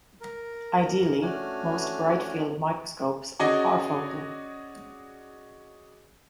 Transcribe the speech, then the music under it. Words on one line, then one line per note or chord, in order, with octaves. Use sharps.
Ideally, most bright-field microscopes are parfocal.
A#4
A3 C#4 D4 F#4 G#5 F6
C#4 F#4 G#4 D5 D#5